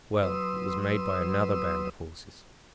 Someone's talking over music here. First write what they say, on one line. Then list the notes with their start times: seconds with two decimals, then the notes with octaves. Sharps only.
"Well, it was made by another band of horses."
0.23 F#3 B4 C6 D#6 E6